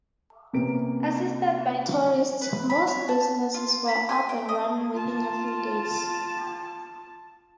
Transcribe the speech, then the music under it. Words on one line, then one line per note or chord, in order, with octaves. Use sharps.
Assisted by tourists, most businesses were up and running within a few days.
C3 A#3 B3 C#4 D7
B4
B5
C#5
A5
F4
B5
G#5
G5
D#5
F4 A5